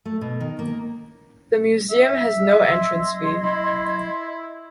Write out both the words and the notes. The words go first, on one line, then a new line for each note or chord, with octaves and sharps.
The museum has no entrance fee.
A3
B2
D#3
A#3
E5
D#5 C6 G#6
E4